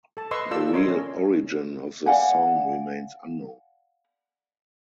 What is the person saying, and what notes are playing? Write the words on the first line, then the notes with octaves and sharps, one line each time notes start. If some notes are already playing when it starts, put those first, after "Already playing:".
The real origin of the song remains unknown.
A4 A5
B4 D#5 C6 C#6 E6
F4 A4 D5 E6
A#4 C#5 D#5 C6
C#4
D5 F5 F#5 G#5